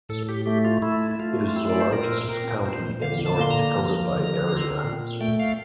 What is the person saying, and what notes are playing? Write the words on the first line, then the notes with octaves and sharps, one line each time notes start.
It is the largest county in North Dakota by area.
A2 A4
G4
A3 G4
F4
A3 E4
E4
A3 F4
F4
C4 E4
D5
C5
A#2 A#4
A#2 A#4
A#2 C5
D3 F5
A5
A#3 C6
A#5
F3
D3
C4
A#2
A3 G5
F5